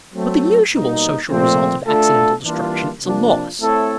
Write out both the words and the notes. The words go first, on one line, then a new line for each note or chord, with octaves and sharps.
But the usual social result of accidental destruction is a loss.
F#3 A3 C4
B2 G3 A#3 D#4
A#2 F3 A3 C4
A3 D4 F4 A4
E3 G3 A#3 D4 F4
C3 F3 A#3 D4 F4
A3 C4 E4 A4 C#5